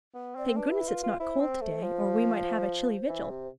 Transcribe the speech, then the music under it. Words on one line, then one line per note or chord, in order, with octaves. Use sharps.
Thank goodness, it's not cold to-day or we might have a chilly vigil.
B3
C4 D5
C5
D4 B4
E4
F4
F4
E4 C5
C4
A3
F3
E3
C3